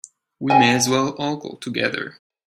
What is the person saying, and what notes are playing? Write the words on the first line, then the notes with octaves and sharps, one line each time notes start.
We may as well all go together.
D#5 G5 G#5